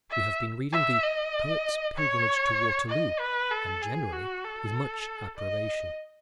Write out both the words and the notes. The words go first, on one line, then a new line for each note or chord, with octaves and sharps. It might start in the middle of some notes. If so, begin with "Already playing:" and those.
We have been reading the "Poet's Pilgrimage to Waterloo," and generally with much approbation.
E5
E5
D#5
C#5
D#5
B4
A4
G#4
F#4
A4
D#5